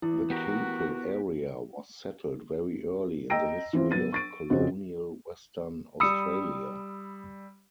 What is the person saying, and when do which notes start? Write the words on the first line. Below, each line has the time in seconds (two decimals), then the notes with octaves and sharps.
The Capel area was settled very early in the history of colonial Western Australia.
0.02 E3 E4
0.30 B3 F#4 G4 A#4
3.30 D#5 G5 A#5 E6 A#6 D7
3.73 E3 C4 F4
3.91 F#3 B3 A6 D#7
4.12 C#6 A6 D7
4.50 F2 C#3 C4 F#4 D#5
6.00 G3 B5 D#6 E6 C#7